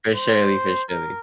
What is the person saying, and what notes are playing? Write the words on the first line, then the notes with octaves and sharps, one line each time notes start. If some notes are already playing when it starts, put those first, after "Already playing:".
for surely, for surely.
C5
A#4